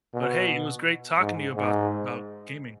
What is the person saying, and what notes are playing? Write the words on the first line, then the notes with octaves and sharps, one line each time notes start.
But hey, it was great talking to you about about gaming.
B2
G#2
G#2